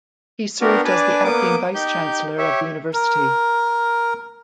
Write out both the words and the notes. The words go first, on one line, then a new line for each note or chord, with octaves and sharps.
He served as the acting Vice Chancellor of the university.
B3 D4 F#4 G4 A#4
D4 B4 D5 G#5 A5
A#3 B3 D6 D#6
D#4 G4 G6
G4 C#5 E5
A#4